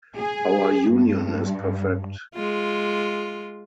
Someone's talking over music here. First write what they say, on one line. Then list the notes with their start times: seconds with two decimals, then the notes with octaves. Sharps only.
Our union is perfect.
0.18 G#4
0.92 G2
2.35 G#3 F4